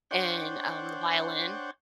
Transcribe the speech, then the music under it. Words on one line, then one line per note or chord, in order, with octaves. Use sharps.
and, um, the violin.
D4 C5 C#5 F#5 G5